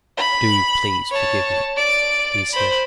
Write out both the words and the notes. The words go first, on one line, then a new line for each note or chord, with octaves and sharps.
"Do please forgive me," he said.
B5
C#5 A5
D5 D7
C5 B5